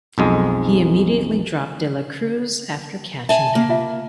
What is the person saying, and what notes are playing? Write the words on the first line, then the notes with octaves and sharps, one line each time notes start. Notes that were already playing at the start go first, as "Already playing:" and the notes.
He immediately dropped de la Cruz after catching him.
B1 F2 G#3
E5 G#5 A5
A#3
F4 E5 F5